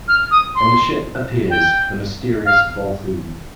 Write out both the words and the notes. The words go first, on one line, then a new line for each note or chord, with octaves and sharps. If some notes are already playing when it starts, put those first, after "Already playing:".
From the ship, appears the mysterious Volthoom.
F6
D#6
C6
G5
F5